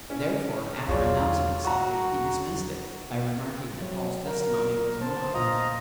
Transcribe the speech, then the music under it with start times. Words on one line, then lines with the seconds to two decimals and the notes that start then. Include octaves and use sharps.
Therefore, after announcing the subject, he dismissed it, by remarking that Paul's testimony was enough.
0.10 C#4
0.88 E2 F#3 F4 G#4 C#5 D5
1.64 F#4 A#5 C#6
3.81 F#3 C4 C#5
4.25 A#4
5.01 B3 C5 A5
5.34 A#2 F4 D#5 F5 A#5